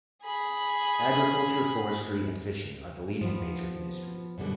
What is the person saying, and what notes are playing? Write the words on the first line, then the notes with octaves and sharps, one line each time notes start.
Agriculture, forestry and fishing are the leading major industries.
G#4 B5
F3 B3
F#2 B2 D3 G3